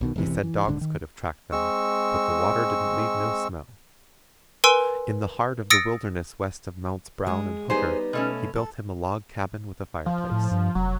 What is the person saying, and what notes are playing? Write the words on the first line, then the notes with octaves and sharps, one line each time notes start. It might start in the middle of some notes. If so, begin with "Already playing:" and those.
He said dogs could have tracked them, but 'the water didn't leave no smell.' In the heart of the wilderness west of Mounts Brown and Hooker he built him a log cabin with a fireplace.
B1 B2 D#3
E1 A1 C3 E3
E3
D#1 G#2 D3 D4
D#3
G#3 C4 C#6 E6
A#4 B4 G#5 C6 E6 D7
D#6 E6 A6 A#6 C#7 D7
G#3 G#4
G3 B3 D#4 G#4 C5
B2 A3 C#4
A4
F3
A2
G2
F1 F#3